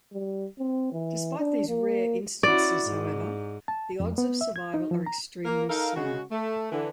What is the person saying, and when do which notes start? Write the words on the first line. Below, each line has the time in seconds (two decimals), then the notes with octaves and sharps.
Despite these rare instances, however, the odds of survival are extremely slim.
0.13 G3
0.59 C4
0.92 E3
1.38 D4
1.68 A#3
2.43 C#4 E4 F#4 D5
2.83 G#2
3.68 A5
4.00 F2
4.18 B3
4.41 E5
4.56 G#6
4.74 D#4
4.91 F3
5.06 A#5
5.45 A#3 A#4
5.70 D#4 A4 A#4 F5
5.96 C#3 G#3 F#4
6.32 A3
6.72 D3 E3